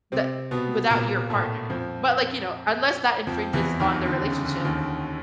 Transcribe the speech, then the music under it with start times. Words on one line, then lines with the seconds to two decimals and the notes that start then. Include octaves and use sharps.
that without your partner, but, like, you know, unless that infringes on the relationship.
0.12 C3 C4
0.51 B2 B3
0.90 A#2 A#3
1.30 A2 A3
1.70 F2 F3
3.27 F2 F3
3.53 E2 E3
3.80 D#2 D#3
4.05 D3
4.26 C#3
4.45 D3
4.64 D#2 D#3